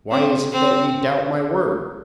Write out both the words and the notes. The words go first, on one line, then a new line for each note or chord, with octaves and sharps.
"Why is it that you doubt my word?"
C4
C4